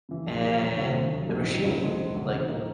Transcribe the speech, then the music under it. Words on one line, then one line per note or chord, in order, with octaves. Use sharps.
and the machine, like,
C#3 E3
A#1
A#2 F3 A#3
E1
D2 C3 F3
D#2
D3 F#3
A#1
G#2 D#3 F#3
C#2
C#3 F3 G#3
E1
D2 C3
A1
A2 F3 A#3 D#4